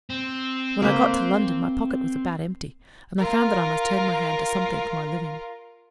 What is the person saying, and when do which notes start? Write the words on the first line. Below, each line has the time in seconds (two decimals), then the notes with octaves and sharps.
When I got to London my pocket was about empty, and I found that I must turn my hand to something for my living.
0.10 C4
0.82 A#3 B4 C5
3.18 F4 A#4